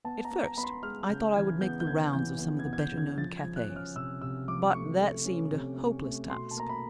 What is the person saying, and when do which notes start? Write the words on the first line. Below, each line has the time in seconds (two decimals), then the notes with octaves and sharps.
At first I thought I would make the rounds of some of the better-known cafes, but that seemed a hopeless task.
0.04 B3 A5
0.25 A#5
0.31 B3
0.44 A#5
0.57 B3 B5
0.63 C6
0.83 G#3 F6
1.09 C#3 G6
1.35 E3 G#6
1.61 B3 G6
1.80 G6
1.87 C#3 G#6
2.13 E3 G6
2.39 B3
2.59 G#6
2.65 B3
2.73 G#6
2.79 G6
2.92 C#3
2.98 G#6
3.17 F3 A6
3.37 G#6
3.44 F3
3.56 F#6
3.69 C#4
3.76 F6
3.95 C3 E6
4.21 C3 E6
4.48 F3 D6
4.74 A3 C#6
4.99 A3
5.26 C#4
5.52 C3
5.78 C#4
6.04 A3
6.30 B2 C6
6.51 A5
6.56 A#3 A#5
6.69 B5